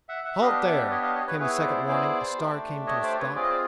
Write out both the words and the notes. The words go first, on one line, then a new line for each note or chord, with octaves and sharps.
"Halt there!" came the second warning as Star came to a stop.
E5 F#5
E5 F#5
B3 D4 G4 D#5 F5
D5 E5
C#5 D#5
D#5 F5
C#5 D#5
B4 C#5
B3 E4 G#4 B4 C#5
C5 D5
C5 D5
A3 D4 G4
C#5 D#5
C5 D5
B4 C#5
C4 F4 G#4 D5
D#5
C5 D5